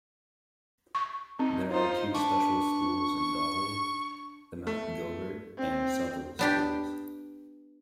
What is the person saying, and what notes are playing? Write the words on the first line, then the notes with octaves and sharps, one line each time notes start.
There are two special schools in Dawley: the Mount Gilbert and Southall schools.
C#6
C4 D#4
D#4 F4 C5
D4 B4 C#6
A3
C4
B3 D4 G4